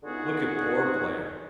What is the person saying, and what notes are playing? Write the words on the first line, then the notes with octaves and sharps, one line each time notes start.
Look at poor Blair.
C#2 D3 B3 D#4 F#4 G#4